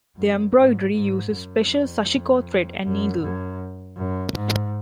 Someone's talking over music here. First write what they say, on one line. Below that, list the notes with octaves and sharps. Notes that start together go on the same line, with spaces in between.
The embroidery uses special sashiko thread and needle.
F#2
G#2
G#2
F#2
F2
F#2
F#2
F#2
G#2